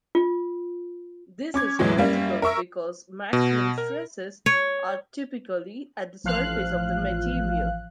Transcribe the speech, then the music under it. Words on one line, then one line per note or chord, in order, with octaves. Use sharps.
This is critical because maximum stresses are typically at the surface of the material.
F4
C#4 D6 G#6
E2 A2 E3 F#3 G#3
F#2 G3 A#3
A#4 E5 C#6 E6
B2
A#4
C#5
A1 F3 F5 F#6